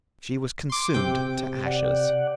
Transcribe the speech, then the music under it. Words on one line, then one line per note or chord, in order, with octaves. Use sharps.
She was consumed to ashes.
C6 D6
C3 G5
D5 F#5